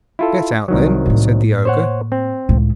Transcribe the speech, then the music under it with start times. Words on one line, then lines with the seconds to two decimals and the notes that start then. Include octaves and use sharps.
'Get out, then!' said the ogre.
0.19 E4 F4 A4
0.68 C2 D#3 F#3
1.06 A2 A#3
1.65 C5 C#5 F#5
2.12 C4
2.49 C#2 A2